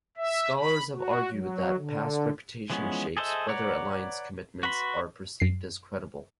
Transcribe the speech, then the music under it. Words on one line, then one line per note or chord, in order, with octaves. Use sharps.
Scholars have argued that past reputation shapes whether alliance commitments are perceived as credible.
E5
B5
F#4
F#3
D3
E3 F3 G#3 B3 C#4
G#4 A4 C5 D#5 E5
B4 C#5 D5 F#5 A#5
F#4 B4 B5 C6
F#2 C7